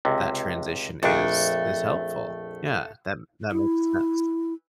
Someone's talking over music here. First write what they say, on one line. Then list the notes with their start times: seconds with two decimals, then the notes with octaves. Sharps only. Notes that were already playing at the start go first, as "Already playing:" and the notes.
that transition is is helpful. Yeah. That that makes sense.
0.05 C#2 C3
1.03 A#1 F2 A3 D4
3.52 E4